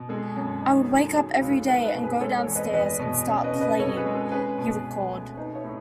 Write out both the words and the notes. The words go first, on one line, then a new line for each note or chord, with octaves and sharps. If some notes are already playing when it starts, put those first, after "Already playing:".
"I would wake up every day and go downstairs and start playing," he recalled.
Already playing: B2
G#3 A4
F#2
D#4
D#3
F#3 G#4
G#4
C#2
A4
C#2 G#4 B4
G#4 B4
B2
G#4 B4
G#3 A4 C#5
A4 C#5
E2
B4 D#5
E2 B4 D#5
B2
C#4
B4 D#5
C#3
B4 D#5
C#3 A4 C#5
G#4 B4
G#3
A4
C#4 G#4 B4
B2
B2
A3
D#4 B4 D#5
C#5 E5
A2